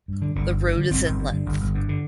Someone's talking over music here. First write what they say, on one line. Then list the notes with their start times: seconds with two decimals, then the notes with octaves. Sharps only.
The road is in length.
0.08 G2
0.22 D3
0.35 G1 D3
0.50 G1
0.63 G2
0.77 D3
0.90 G1 C4
1.05 G1
1.19 G2
1.33 D3
1.46 G1
1.61 G1
1.74 G2
1.89 D3